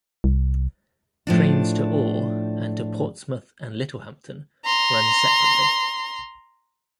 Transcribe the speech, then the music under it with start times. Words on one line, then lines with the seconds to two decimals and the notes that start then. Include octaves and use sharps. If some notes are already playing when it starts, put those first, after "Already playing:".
Trains to Ore and to Portsmouth and Littlehampton run separately.
0.24 C2
1.27 A2 F3 D4
4.65 A#5 C6